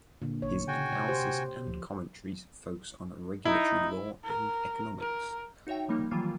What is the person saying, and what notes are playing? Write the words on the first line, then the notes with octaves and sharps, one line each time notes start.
His analysis and commentaries focus on regulatory law and economics.
A#2 D3
A1 C#5
C#3 F#4 G5 G#5
C3
G4 C5
D2 F3
D#4 E4
A#4
A#4
D#4 F#4 C#5 E5 G5
F3 G3 A#3 D#4
D#3 E3 F#3 G3 A#3 F4